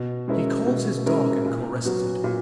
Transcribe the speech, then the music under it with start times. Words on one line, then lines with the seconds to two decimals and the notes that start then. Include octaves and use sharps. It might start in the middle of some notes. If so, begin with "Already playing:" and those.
He calls his dog and caresses it.
Already playing: B2
0.28 G#3 C#4 E4 A#4
0.66 B2
1.06 G#3 C#4 E4 A#4
1.46 A#2
1.85 F#3 B3 F#4
2.24 A#2